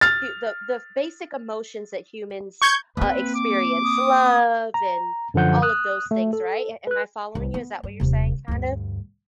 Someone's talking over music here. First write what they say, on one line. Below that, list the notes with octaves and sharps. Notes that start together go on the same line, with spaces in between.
hu the the basic emotions that humans, uh, experience, love and all of those things, right, am am I following you? Is that what you're saying kind of?
F6 A6
C#6 G6 G#6
A#3 C4 B4
D6
D#6
A#5
F#2 D3 F3 F#5 G6
D#6 F#6
A3
A4
B4 F#6
C2
B3
G2
D#1 C3
D2 G2